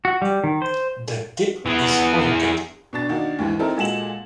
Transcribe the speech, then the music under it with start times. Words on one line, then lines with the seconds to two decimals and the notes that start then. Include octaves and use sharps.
The tip is pointed.
0.05 F#4
0.22 G3
0.44 D#3
0.62 C5
1.66 E3 B3 G#4
2.93 B2 D4 A6
3.09 D#3 A#3 D4 F#4
3.39 D#2 G#2 E3
3.59 C4 D#4 E4 A4 A#4
3.77 A#2 G#3 F#4 A4 E7 F#7